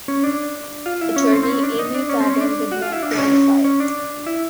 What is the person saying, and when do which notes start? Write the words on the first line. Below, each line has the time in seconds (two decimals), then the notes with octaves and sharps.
Attorney Amy Padden did not qualify.
0.08 C#4
0.24 D4
0.86 F4
1.01 E4
1.16 C#4
1.32 C4
1.43 C4
1.48 C#4
1.63 D4
1.79 D#4
1.94 D4
2.09 C#4
2.20 C4
2.30 C#4
2.41 D4
2.72 F#4
2.82 F4
2.92 E4
3.03 D4
3.18 C#4
3.64 C#4
3.80 D4
4.26 E4